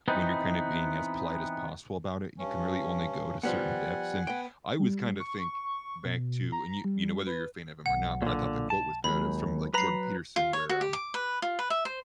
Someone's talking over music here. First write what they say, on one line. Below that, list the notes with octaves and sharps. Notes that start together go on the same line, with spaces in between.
when you're kind of being as polite as possible about it, you can really only go to certain depths, and I always kinda think back to and you you know, whether you're a fan of him or not, but I thought the quote was good. It was from, like, Jordan Peterson where, um,
E3 B3 C4 D#4
G2 C#4
F3 G3 B3 F#5 G#5
B3 G5
G3
C#6
B2
A#5
G3
B4
B1 F#5
A#2 D3
A5
D#2 F#3 G#3 B5
F#3 B4 A#5 B5 C7
F4
C#5
F#4
G4
D6
B4
F4
B4
E5
C5